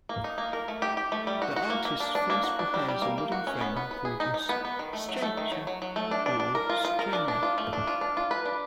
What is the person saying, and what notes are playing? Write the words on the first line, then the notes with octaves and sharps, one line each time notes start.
The artist first prepares a wooden frame called a "stretcher" or "strainer".
A#3
D#4
A#3
A#4
A3
G4
G4
A3
G3
F#4
F#4
A#3
A#3
D4
D4
A#3
F#4
D4
G3
G3
A#3
A#3
F#4
C#4
B3
B3
B4
G#4
D#4
D#4
B3
B3
D#3
A3
F#3
A3
D#3
F#3
F#3
F#3
A3
D4
D4
D4
A#4
F4
F4
A#4
D4
D4
F4
A3
D4
F4
D4
F4
B4
D4